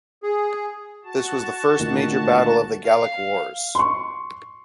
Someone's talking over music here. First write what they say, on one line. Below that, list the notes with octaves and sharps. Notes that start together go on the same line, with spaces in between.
This was the first major battle of the Gallic Wars.
G#4
F#4 A5
D2 A#2 D#3
F5
C6 C#6